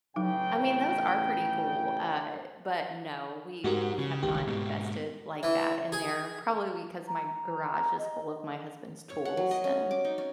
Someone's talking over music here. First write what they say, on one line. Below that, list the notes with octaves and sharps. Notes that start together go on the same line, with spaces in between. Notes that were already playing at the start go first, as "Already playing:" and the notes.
I mean, those are pretty cool. Uh, but, no, we we have not invested like that in there, probably because my garage is full of my husband's tools, and,
A1 C#3 F#3 D#4 G5
G#2 F#4 G4 A#4
C#3
G1 C#2 D#3 G4
G#2 B2
E3
G#4
A#5
D#5
C#5
F#5
F#3
D#5
C#4
D6
D#4
C#4